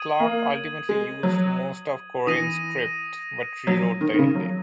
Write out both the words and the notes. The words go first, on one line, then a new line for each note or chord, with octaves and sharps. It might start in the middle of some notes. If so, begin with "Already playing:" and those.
Clark ultimately used most of Korine's script, but rewrote the ending.
Already playing: D#6 G#6 D#7 F#7
A#3
G#3
F#3
E3 D#6 A#6 D#7
F#3
D#3
D#3
C#3
F#3